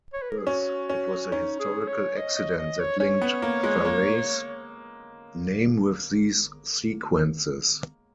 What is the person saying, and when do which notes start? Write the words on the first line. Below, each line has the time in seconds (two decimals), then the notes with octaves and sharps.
Thus it was a historical accident that linked Farey's name with these sequences.
0.14 C#5
0.22 B4
0.30 A#4
0.38 G#4
0.47 C#4 F#4
0.90 C#4
1.32 C#4 D#4
1.60 G#4
1.88 C#5
2.17 D#5
2.36 D#5
2.58 D#5
2.79 C#5
3.00 C#4 C#5
3.22 B3
3.42 A#3
3.63 G#3
3.85 A#3